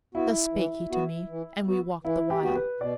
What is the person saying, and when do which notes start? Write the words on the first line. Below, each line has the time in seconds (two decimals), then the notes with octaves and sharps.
Thus spake he to me, and we walked the while.
0.14 B3 E4 F#4
0.53 E3
0.91 B3 F#4
1.29 E3
1.67 B3 F#4
2.04 E3 E4
2.30 G4
2.42 B3 F#4
2.55 B4
2.80 B2 D5